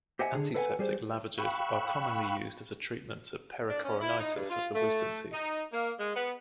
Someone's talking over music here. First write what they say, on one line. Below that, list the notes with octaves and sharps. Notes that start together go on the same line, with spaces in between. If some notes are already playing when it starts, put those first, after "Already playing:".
Antiseptic lavages are commonly used as a treatment to pericoronitis of wisdom teeth.
G4 C5 D#5 E5 F#5 G#5
D3 G#4
A4 B4 D5 F5 F#5 G#5
G3 G#4 C5
F5 G5 B5 C#6 E6 F#6
D4
C#4
E4
D#4
G2
F4
A3
D#4
A#3
G#3
B3